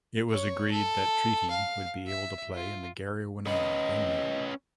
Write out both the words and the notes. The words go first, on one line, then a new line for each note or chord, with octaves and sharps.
It was agreed that Treaty would be able to play in the Garryowen venue.
C#5
A4
F5
E5
F4
C#4 B4 D#5